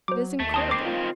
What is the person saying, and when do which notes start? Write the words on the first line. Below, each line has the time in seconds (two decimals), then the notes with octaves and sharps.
It is incredible!
0.08 F#3 C5 D6
0.40 D#2 A3
0.54 D#3 C4 A5 D#6
0.71 D6 C7
0.85 F4